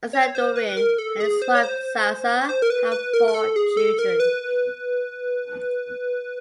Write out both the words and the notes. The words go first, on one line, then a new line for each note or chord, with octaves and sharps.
Assadourian and his wife Zaza have four children.
C#5
C5
B4
A#4
A4
G#4
C5
C#5
C5
C5
A#4
B4
B4
A#4
A#4
A4
G#4
A4
A#4
B4